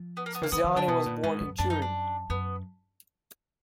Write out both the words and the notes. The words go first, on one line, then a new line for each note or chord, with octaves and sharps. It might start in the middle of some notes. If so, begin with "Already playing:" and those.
Spaziani was born in Turin.
Already playing: F3
B3
A#3
B3
D3 A#3
D#3 B3
D#3
D3 D4
B2 B3
A#2
G#2 B3
F#2
F#2 D4
D#4
D4
F#2 B3